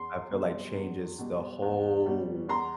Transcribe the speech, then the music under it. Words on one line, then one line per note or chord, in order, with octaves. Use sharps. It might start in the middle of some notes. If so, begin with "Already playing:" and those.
I feel like changes the whole
Already playing: E2 C6
B2 G3
E2
B2 G3
E2
B2 G3
E2 A#5 C6